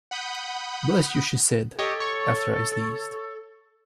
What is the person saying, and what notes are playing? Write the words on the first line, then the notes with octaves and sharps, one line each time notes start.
Bless you she said, after I sneezed.
F#5 B5 D#6 G6
G4 A4 C#5 D#5
C#5 C#6